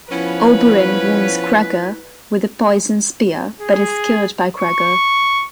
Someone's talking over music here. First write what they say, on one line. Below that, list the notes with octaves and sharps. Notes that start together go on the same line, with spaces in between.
Oberyn wounds Gregor with a poisoned spear but is killed by Gregor.
F3 B3 C#4 E4 B4
G#4
C#6